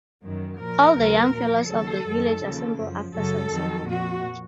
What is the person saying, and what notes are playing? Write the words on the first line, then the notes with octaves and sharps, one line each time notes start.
All the young fellows of the village assemble after sunset.
F#2 D#3 F#3
A#2 F3 A#4
D#2 C#3 F#3
A#2 F3
D#2 C#3 F#3 A4
F#2 D#3 F#3
D#2 C#3 F3
F#2 F3
F#2 C#3 F#3 A4
F2 D#3 F#3
A#2 F3 F#4